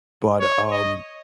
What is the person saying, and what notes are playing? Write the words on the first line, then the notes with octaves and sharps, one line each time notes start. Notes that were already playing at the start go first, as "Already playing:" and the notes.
but, um,
C#5
D#5